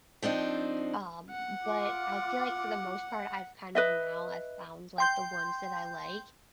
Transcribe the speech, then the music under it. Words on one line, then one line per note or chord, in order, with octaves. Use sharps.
um, but I feel like for the most part I've kind of now I've found, like, the ones that I like.
F3 C4 D4 D#4
F#5
F4 D6
B4 D#5 E5
G5 C6 G6